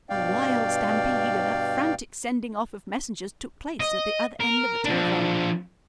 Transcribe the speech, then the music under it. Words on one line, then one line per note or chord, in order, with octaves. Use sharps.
A wild stampede and a frantic sending-off of messengers took place at the other end of the telephone.
G2 B2 D5 F5 G5
D#5
A#4
F3 D4